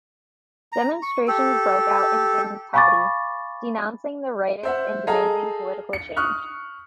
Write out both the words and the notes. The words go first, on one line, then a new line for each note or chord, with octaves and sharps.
Demonstrations broke out in Vientiane, denouncing the rightists and demanding political change.
A#5
C#6
G4 A4
F5 G#5 B5 C#6 D6 A6
C5 E5 F#5
G#4 A4 D#5 F5 A#5
C#7
C#6 D#6 F6 F#6